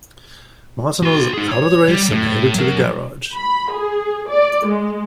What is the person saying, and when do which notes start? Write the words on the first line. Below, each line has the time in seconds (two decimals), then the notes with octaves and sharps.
Martin was out of the race and headed to the garage.
1.03 F#4 C6
1.34 D#4 G#4
1.52 C#5
1.89 G3
2.10 A2
2.55 F#3 A#4
3.33 B5
3.71 G#4
4.28 D5
4.66 G#3